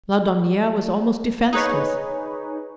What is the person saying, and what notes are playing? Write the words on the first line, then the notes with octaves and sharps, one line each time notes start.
Laudonniere was almost defenceless.
D#4 G#4 B4 C#5